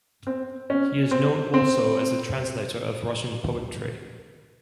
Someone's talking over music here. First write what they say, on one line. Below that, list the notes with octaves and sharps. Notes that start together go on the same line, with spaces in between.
He is known also as a translator of Russian poetry.
C4
C#4
C4
C4